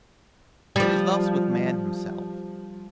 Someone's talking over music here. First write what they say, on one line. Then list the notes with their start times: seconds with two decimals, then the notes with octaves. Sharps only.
It is thus with man himself.
0.76 F3 G3